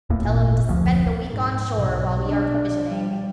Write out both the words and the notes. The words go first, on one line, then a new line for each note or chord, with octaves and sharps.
Tell them to spend a week on shore while we are provisioning.
D1 E2 A2 A#3
G#1 A#2
F1 D2 F3
G#2
B1
D4
G3